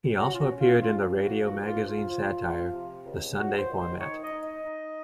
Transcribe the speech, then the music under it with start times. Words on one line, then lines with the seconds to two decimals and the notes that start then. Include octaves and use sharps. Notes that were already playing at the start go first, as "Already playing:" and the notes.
He also appeared in the radio magazine satire "The Sunday Format".
0.18 C#4 F#4
0.34 F4
0.40 F#4
0.50 C#4
0.60 F4
0.81 F3 F4
1.14 A#3
1.25 F#4
1.45 C#2 F#4
1.67 F4
1.77 F3
1.88 F4
2.09 F3
2.41 F3
2.73 C3
3.05 C#2
3.37 C#2 F#4
3.58 C5
3.69 D#3
3.79 C5
4.00 D#4 C#5
4.22 D#5
4.32 D#4
4.43 D#5
4.64 D#4